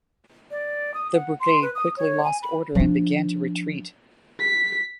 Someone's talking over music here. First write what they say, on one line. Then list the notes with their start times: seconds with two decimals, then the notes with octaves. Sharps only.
The brigade quickly lost order and began to retreat.
0.51 D5
0.94 D#6
1.14 F#5
1.40 C6
1.62 B4
1.75 D#6
1.97 C#5
2.24 G#5
2.43 B5
2.75 F3 D4
4.40 B6